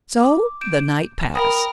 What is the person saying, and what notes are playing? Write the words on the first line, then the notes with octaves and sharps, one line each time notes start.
So the night passed.
D6
G6 D7 E7
A#4 G5 B5 D#6